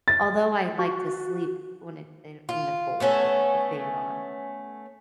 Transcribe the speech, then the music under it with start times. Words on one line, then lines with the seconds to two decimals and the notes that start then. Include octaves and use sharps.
Although I like to sleep when it in the in the cold, like with the fan on.
0.08 A6
0.79 F#4
2.49 F4
3.00 A3 B3 C#4 A4